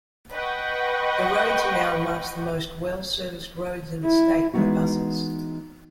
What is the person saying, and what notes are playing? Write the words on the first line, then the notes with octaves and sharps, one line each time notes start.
The roads are now amongst the most well-serviced roads in the state by buses.
B4 D#5 F#5 G5 C#6
E4
E3 G#3 B3 C4 D#4 F#4